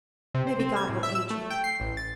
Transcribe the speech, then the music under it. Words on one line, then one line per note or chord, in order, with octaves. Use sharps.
Maybe God will aid you.
C3
C5
C4
G#6
A2
E5
E6
A3
G5
C7
A1
A6